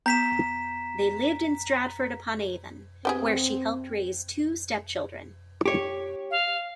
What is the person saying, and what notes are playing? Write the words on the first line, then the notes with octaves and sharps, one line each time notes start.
They lived in Stratford-upon-Avon, where she helped raise two stepchildren.
B3 A#5 B6 E7
B3 C4 G4 G#4
G4 C#5
F5